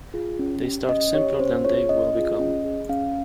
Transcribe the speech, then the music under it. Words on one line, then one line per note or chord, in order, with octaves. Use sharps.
They start simpler than they will become.
F4 G#4
C#4
G4
C#4 D#5
G4 C#5
C#4 C5
F4 G#4 C#5
C#4 D#5
F4 G#4
C#4
G#4
C#4 F5